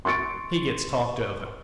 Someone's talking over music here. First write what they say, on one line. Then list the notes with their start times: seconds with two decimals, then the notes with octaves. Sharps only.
He gets talked over.
0.05 C6 C#6 A6 C#7 D7